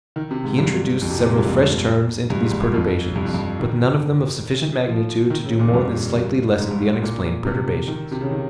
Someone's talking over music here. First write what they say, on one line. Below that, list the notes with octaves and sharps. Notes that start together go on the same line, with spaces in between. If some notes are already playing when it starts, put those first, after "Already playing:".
He introduced several fresh terms into these perturbations, but none of them of sufficient magnitude to do more than slightly lessen the unexplained perturbations.
D#3
C3
G#2
G2
F2
C3
A#2
G#2
G2
F2
G2
G#2
G2
G2
F2
G2
F2
G2
D#3
F3
D#3
C#3
A#2
F2
G2
G2
G#2
G2
G#2
A#2
C3
D#3
C3
C#3
D#3